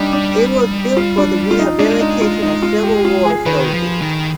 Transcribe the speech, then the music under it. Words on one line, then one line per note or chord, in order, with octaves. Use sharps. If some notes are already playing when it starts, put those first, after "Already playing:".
It was built for the rehabilitation of Civil War soldiers.
Already playing: G3 D4 D#4
D4
F4
D4
F4
D#4
G#3 D4
D#4
F4
D#4
F4
G4
F4
G#4
D#3 B4
F3
D#3